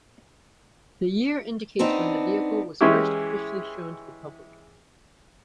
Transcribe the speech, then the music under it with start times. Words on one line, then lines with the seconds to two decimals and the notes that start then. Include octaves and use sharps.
The year indicates when the vehicle was first officially shown to the public.
1.79 B3 C4 D4 D#4
2.81 E3 G#3 C#4 E4 G4